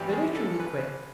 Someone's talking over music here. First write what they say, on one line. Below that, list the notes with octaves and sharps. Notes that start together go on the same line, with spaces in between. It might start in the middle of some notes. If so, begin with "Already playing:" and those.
Spiritually quick.
Already playing: A1 G2 E3 G3 G4
G#4
A4
B4